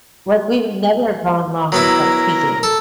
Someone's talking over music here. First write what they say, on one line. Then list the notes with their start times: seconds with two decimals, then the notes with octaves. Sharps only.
Like, we've never gone long without speaking,
1.72 F#3 B3 E4 A#4
2.63 A4